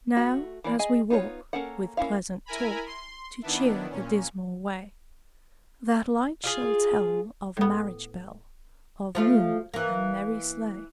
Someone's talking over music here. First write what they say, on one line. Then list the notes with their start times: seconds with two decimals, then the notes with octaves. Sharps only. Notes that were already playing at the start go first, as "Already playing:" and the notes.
Now, as we walk, with pleasant talk To cheer the dismal way, That light shall tell of marriage-bell, Of moon and merry sleigh.
0.17 A3 F#4
0.64 E3 A#3 D5
0.79 G#4 D#5 G#5
1.10 B3 D#4 F4 A#4 C#5
1.53 A#3 C#4 A4 A#4 F#5
1.97 A#3 C#4 E4 F5
2.46 E4 A#4 G#5 A#5 B5
2.86 C6
3.42 D#3 B3 D4 E4
3.90 A#2 C#4
6.44 F4 G4 G#4
7.57 A2 B3
9.15 F3 A3 F4
9.74 E3 A#3